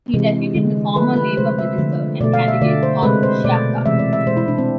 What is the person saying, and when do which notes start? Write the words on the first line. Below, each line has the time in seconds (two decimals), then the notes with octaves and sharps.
He defeated the former Labor minister and candidate Con Sciacca.
0.14 C3 E3 G#3
0.55 D3 G#3
0.96 D3 F3 A3 B4
1.16 B4
1.37 C3 G#3 C5
1.58 E5
1.78 D3 F3 A3
2.21 B2 D5
2.24 A3
2.34 F5
2.48 E5
2.61 D3 A3 D5
2.83 C5
3.03 C3 G#3 B4
3.23 C5
3.44 B2 A3 D5
3.85 C3 E3 G#3 E5
3.99 D5
4.13 E5
4.27 B2 G#3 C5
4.37 E4
4.48 D4
4.58 C4